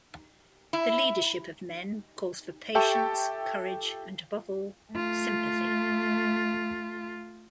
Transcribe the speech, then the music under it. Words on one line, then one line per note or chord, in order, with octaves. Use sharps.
The leadership of men calls for patience, courage, and, above all, sympathy.
E4
G4 A4 E5 G5 A5 C#6
A3 F4